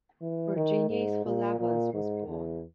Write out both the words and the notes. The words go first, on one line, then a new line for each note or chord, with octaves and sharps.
"Virginia is for Lovers" was born.
E3
D#3
G#2
A#2
A#2
G#2
E2